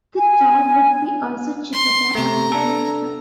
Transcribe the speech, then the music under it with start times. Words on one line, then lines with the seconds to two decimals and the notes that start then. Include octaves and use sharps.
The toll would be also cheaper than a ferry ticket.
0.17 G#5
1.73 C6
2.15 C3 A3 A#5
2.52 D4 A4